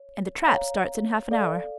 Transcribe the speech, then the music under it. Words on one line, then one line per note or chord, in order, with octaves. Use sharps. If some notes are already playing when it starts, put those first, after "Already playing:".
"And the trap starts in half an hour."
Already playing: C#5
C#5 F5 A#5
A4 D5 F5